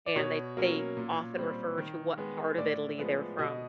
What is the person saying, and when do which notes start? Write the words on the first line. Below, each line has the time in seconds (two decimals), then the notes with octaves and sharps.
and they they often refer to what part of Italy they're from.
0.06 D5
0.16 B2 C#5
0.57 F#3 A#3 C#4
0.97 A#2
1.36 G3 C4
1.78 D#3
2.18 G#3 B3
2.58 A2 D5
2.98 F3 G#3 B3
3.38 B2 D#5